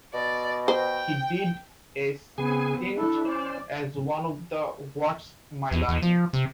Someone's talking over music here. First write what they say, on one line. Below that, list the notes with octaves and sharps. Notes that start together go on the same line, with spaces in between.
He did a stint as one of the What's My Line?
B2 D5
C5 G5
C#3 B3 C4 G#4 G#5
D4 E4 A4
C#4 C5 D5
E2
E2
F3
C3